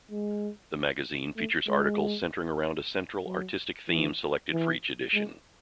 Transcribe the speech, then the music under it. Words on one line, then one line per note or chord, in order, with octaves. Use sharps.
The Magazine features articles centering around a central artistic theme selected for each edition.
G#3
A3
G#3
F#3
E3
E3
G#3